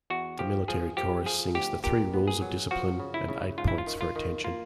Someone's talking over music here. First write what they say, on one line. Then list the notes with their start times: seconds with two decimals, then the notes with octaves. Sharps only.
The military chorus sings the Three Rules of Discipline and Eight Points for Attention.
0.10 E2 F#4
0.39 F3 G4
0.68 F3 G#4
0.97 F3 G4
1.26 F3 G#4
1.55 D2 G4
1.84 A#2 G4
2.14 B3
2.28 G#4
2.42 F#3
2.71 F3 F#4
3.00 C#3
3.14 E4
3.29 C#3
3.58 G#2 F4
3.68 E4
3.78 F4
3.87 D#3
4.01 F4
4.16 D#3
4.44 A#3 F4